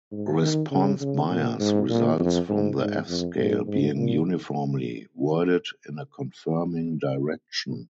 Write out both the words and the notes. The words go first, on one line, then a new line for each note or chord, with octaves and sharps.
Response bias results from the F scale being uniformly worded in a confirming direction.
G#2
D#3
C#3
C#3
A#2
G#2
A#2
F2
G#2
G#2
F2
G#2
G#2
A#2